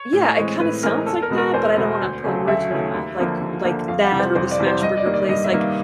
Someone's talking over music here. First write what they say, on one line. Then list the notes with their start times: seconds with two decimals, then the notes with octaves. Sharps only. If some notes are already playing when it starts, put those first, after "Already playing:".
yeah, it kinda sounds like that, but I don't wanna put words in your mouth, like like, that or the smash burger place, like
Already playing: C#5
0.13 A2
0.36 E3 G#3 C4
0.60 A2 B4
0.83 E3 G#3 C4 A#4
1.06 E2 A4
1.22 A#4
1.30 B2 G#3 B3
1.38 A#4
1.54 E2 C5
1.77 B2 G#3 B3
2.01 D2
2.24 C#3 F#3 A3
2.47 D2 E5
2.71 C#3 F#3 A3
2.94 D#2
3.18 D3 F3 A#3
3.41 D#2
3.65 D3 F3 A#3
3.88 F2 F5
4.04 F#5
4.12 C3 E3 G3
4.20 C5
4.35 F2 C5
4.51 D5
4.59 C3 E3 G3
4.66 C5
4.82 G2 D#5
4.98 D5
5.05 D#3 G3 A#3
5.14 D5
5.29 G2 D#5
5.44 E5
5.53 D#3 G3 A#3
5.60 F5